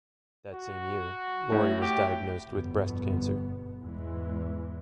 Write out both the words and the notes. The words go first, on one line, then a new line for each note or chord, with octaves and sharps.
That same year, Lorie was diagnosed with breast cancer.
F#4
A2
G4
G1 F2 B2 B3
E2 G#2 E3 G#3